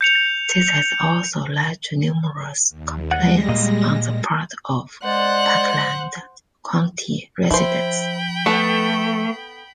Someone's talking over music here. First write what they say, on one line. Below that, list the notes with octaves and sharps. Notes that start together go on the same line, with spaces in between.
This has also led to numerous complaints on the part of Parkland County residents.
G6 C#7 F7
D#2
G3 G#3 F#5 A#6
A#2 A#3 D#5
G#3 C5 D5 F#5 F#6
F3 E4 C5 G5 B5
A3 B3 A4